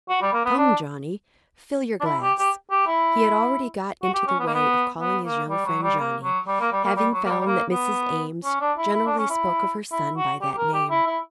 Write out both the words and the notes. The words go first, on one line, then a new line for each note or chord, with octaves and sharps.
"Come, Johnny, fill your glass." He had already got into the way of calling his young friend Johnny, having found that Mrs. Eames generally spoke of her son by that name.
F#4
G3
A#3
B3
D4
D4
E4
G4
G4
G4
E4
F#4
G4
C#4
B3
A#3
B3
B3
A#3
G3
F#3
G3
A#3
F#3
G3
A#3
G3
A#3
G3
F#3
A#3
G3
G3
A#3
B3
C#4
D4
E4
E4
D4
C#4
E4
E4
F#4
G4
G4
A#4
G4
E4
E4